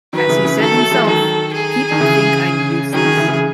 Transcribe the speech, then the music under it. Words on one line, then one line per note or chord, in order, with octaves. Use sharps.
As he said himself: People think I'm useless.
D#3 F#3 B4
C#3 E3
C#3 E3
D#3 F#3 A4
F#3 A3
A3
E3 G#3
G#3
D#3 F#3 A4
G#4
D#3
C#3 E3
D#3 F#3 G#4
D#3
C#3 E3
C#3 E3